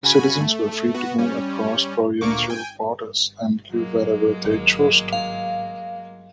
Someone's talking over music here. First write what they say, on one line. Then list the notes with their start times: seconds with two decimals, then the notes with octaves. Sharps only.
Citizens were free to move across provincial borders and live wherever they chose to.
0.03 C#3 F#4 G#5 B5
0.40 A3
0.94 B3 F#4
1.18 G3 C#4
2.21 D2 A#2 A#3 C#6 D6
2.50 G5 G#5
3.69 F#3 G#3 A#3
4.45 G#1
5.13 F5